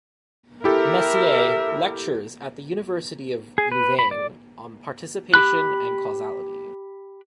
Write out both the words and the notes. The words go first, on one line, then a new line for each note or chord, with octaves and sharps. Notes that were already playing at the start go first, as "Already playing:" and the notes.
Mercier lectures at the University of Louvain on "Participation and Causality".
E4 G4 A4 A#4 E5
G#4
B4
B5
D5
G4 B5 F#6